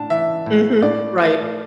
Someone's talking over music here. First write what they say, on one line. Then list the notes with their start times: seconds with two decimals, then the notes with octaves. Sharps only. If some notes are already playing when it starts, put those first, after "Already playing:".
Mhm, right.
Already playing: A2 D4 A5
0.10 E3 E5
0.46 A2
0.82 A2 D5
1.18 A3